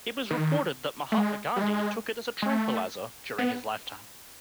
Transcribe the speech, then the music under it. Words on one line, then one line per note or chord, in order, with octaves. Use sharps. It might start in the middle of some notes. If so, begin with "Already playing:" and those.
It was reported that Mahatma Gandhi took it as a tranquilizer during his lifetime.
D#3
A3
G#3
G3
G#3
G#3
A3
B3